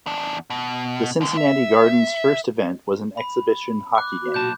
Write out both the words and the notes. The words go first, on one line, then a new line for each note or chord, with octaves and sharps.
The Cincinnati Gardens' first event was an exhibition hockey game.
E2 D4
B2
D#2 D3
E5
B5
D6 F#6
F#4
B1 A#2 A5 G6